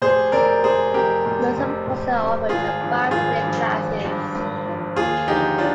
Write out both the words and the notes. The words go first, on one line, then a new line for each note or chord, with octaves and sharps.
Most of the courses offered are five-day classes.
F1 G#4 C5
F2 C3 A#4 D5
F1 G#4 C5
F2 C3 G4 A#4
F1
F2 C3
F1
F2 C3
G#1 F4 G#4
G2 F3
G#1 F4 G#4
G2 F3
G#1
G2 F3
G#1
G2 F3
D#2 F4 G#4
D3 F3 D#4 G4
D4 F4